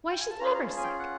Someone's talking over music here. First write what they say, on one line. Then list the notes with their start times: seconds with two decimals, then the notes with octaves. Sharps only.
Why, she's never sick!
0.11 G5
0.20 G#5
0.30 A5
0.39 C#4 F4 G#4 A#5
0.55 A#5
0.70 A5
0.77 G#5
0.84 G5
0.99 F#5